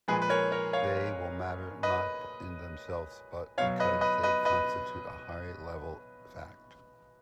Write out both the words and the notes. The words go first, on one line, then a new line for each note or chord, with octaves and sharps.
They will matter, not in themselves, but because they constitute the higher level fact.
A#2 F3 G#3 G#4 B4
B4
A#4 C#5
A#4 C#5
C#5 F5
B4 D#5
B2 F#3 C#5 F5
B4 D#5
B4 D#5
B4 D#5
B4 D#5